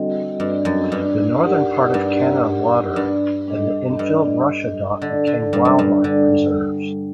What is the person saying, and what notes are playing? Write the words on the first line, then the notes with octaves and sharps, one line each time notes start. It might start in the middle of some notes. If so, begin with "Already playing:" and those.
The northern part of Canada Water and the infilled Russia Dock became wildlife reserves.
Already playing: D3 G3 C4 F#4 A4 D#5
G2
F#2
G2
D#4 G4 A#4 D5 F#5
G2
G2
G3 D4 A4 D#5
G2
D3
D3
G2 G3 D4 A4
F#2
G2
D3